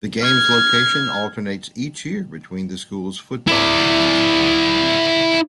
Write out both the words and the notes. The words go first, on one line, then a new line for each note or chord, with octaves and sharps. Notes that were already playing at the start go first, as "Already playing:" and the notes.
The game's location alternates each year between the schools' football fields.
F6 G#6
E4 D5